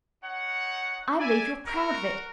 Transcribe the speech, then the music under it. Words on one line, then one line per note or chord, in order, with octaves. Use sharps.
I believe you're proud of it.
D#4 C#5 F#5
D5 E5 G#5
F#4 A#4